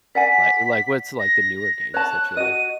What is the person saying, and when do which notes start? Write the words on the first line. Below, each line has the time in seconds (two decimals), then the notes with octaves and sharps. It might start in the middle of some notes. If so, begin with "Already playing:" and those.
like like, what's, like, the newer games that you like?
0.15 D5 F#5 G#5 B6
1.19 A#6
1.94 C#5 A5 F#6
2.37 F#4 D#5 D#7